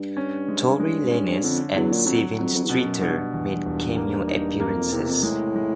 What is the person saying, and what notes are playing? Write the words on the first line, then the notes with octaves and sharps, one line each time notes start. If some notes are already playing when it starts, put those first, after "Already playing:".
Tory Lanez and Sevyn Streeter made cameo appearances.
Already playing: G2
C#4
G#3
G#3
C#4
F2 D3
E2 F#3
A#2
F2 F#3
F2 F#3
F2
E2
F2 B2
F#2
G2 B2
G2
E2
E1
A#3
D#4
F#2 A#3
F2
E2 C3
F2
A2 G#3
G#3